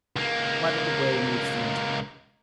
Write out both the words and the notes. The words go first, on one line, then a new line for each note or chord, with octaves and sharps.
Whether the Will Moves the Intellect?
C#2 A#3